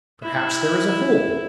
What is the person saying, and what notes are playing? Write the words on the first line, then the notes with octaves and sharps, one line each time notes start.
Perhaps there is a hole.
E4